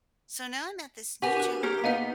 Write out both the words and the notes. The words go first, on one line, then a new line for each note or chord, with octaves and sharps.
So now I'm at this new job,
G4 A#4 B4 F#5 G#5
D4 F#4
A#3 G4 G#4 A#4
B3 D#4 B4 D#5 F5